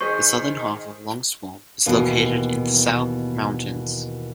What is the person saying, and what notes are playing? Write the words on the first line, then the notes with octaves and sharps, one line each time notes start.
The southern half of Longswamp is located in the South Mountains.
D#3 G#4 C5 C#6
D#2 B2 E3